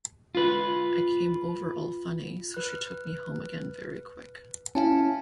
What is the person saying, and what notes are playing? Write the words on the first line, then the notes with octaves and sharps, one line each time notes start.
I came over all funny, so she took me home again very quick.
F4 B4
B4 F#6
C#4 E4 F5 G#5 A5